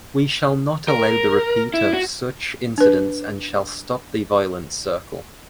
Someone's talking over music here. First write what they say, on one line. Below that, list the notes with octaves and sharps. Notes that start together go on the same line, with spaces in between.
We shall not allow the repeat of such incidents and shall stop the violence circle.
A#4
E4
F#4
D4 B4